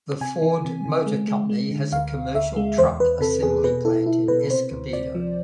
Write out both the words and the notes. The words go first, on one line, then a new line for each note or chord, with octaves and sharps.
The Ford Motor Company has a commercial truck assembly plant in Escobedo.
C3 G#5
E3
C3
C3
G#3
G#3
G#3
D3
D2 F5
D2
D2 E5
G#3
E2 C5
E2 B4
C3 A4
E2 G#4
B2 B4
E4 A4
E4
B2 B4
C3 C5
D2
C3 D5
F3